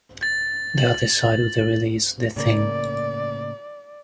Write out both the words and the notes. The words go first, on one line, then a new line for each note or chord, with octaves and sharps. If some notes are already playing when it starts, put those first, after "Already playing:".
The other side of the release, "The Thing".
A6
F#7
A2 C#3 A#3 D5